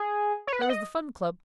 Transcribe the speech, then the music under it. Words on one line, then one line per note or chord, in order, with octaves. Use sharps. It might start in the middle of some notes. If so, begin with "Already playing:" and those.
There was the Fun Club.
Already playing: G#4
C#5
B4
F#5
D#5